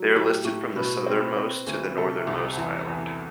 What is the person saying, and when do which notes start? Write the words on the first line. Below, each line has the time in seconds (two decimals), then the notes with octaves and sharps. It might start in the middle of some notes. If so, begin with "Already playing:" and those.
They are listed from the southernmost to the northernmost island.
Already playing: F#3
0.15 A2 G4
0.45 A2
0.75 B2 B4
1.06 C4
1.37 C4
1.66 D2
1.97 C3 A4
2.27 C2
2.57 E2
2.88 E2